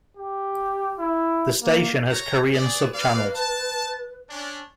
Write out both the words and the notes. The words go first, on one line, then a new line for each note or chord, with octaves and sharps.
The Station Has Korean Subchannels.
G4
E4
A#3
C#5 A#5
G#4 B4 D5
A#3 D5 F5
A5
C#4 D4